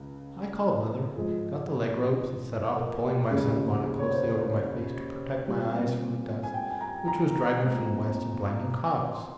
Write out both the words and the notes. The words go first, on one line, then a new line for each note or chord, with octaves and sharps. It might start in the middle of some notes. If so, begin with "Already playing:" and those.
I called mother, got the leg-ropes, and set off, pulling my sun-bonnet closely over my face to protect my eyes from the dust which was driving from the west in blinding clouds.
Already playing: C#2 C#3
G#2 F3 G#3 G#4
A#4
G4
D#2 C#3 G#3 G#4
G#4
C#5
C5
C#5
A#2 G3 C4
G#5
G5
G#5
A#5
A#5
A#2 G#3 C4
C6